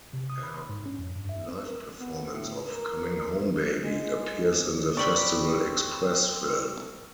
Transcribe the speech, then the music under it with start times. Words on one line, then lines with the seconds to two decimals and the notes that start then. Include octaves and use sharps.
Their live performance of "Comin' Home Baby" appears in the "Festival Express" film.
0.13 C3
0.30 D#6
0.43 B5
0.69 G#2
0.86 C#4
0.98 F2
1.15 G2
1.29 E5
1.48 C4
1.66 A#4
1.99 B3
2.33 A2
2.67 A#4
3.84 G#3
4.97 C4 D5 B5 C#6